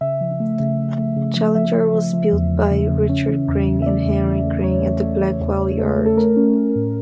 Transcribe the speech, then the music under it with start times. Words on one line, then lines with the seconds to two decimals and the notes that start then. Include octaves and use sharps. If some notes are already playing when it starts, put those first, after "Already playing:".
Challenger was built by Richard Green and Henry Green at the Blackwell Yard.
0.01 C#3 E5
0.21 F3
0.40 A3
0.60 C#3
0.78 C#3
0.98 A3
1.16 C#3
1.36 F3
1.55 F3 E5
1.75 F3
1.94 F3
2.13 F3
2.33 E2
2.51 E2
2.71 C#3
2.90 C#3
3.09 C#4
3.29 E3
3.48 E2
3.67 E3
3.82 E5
3.86 A3 D5
4.05 E2
4.24 E3
4.44 A3
4.63 E2 C#5
4.83 A3
5.02 A3
5.21 E3
5.40 E2
5.59 E2
5.79 A3
5.98 A3
6.06 A4
6.17 A3 A#4
6.37 C#4
6.56 A3
6.76 A2